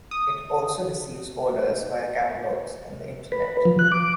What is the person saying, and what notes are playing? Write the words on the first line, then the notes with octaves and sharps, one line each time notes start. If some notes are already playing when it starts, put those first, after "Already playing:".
It also receives orders via catalogs and the Internet.
D#6
B4
F3
F#6
D6